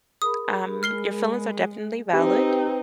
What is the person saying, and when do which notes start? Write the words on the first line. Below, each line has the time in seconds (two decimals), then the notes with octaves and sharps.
Um, your feelings are definitely valid.
0.22 G#4 A#4 B5 D#6
0.83 G#3 F6 C7 G7
2.14 C4 D#4 G4 B4 G5